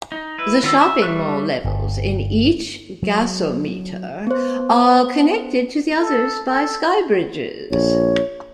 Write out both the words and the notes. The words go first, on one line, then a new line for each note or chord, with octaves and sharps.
The shopping mall levels in each gasometer are connected to the others by skybridges.
D#4
E4 B4
D#3 B3 F4 C#5 E6
E5
G3 E5 C#6 F#6
G1
F#3
B3 C5
A4
A4
A#1 C#5